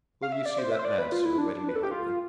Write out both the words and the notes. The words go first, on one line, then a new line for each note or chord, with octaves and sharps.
"Will you see that man, sir, waiting behind me?"
F5
E5
D5
C5
E5
C5
D5
B4
F4
E4
D4
B4
A4
G4
F4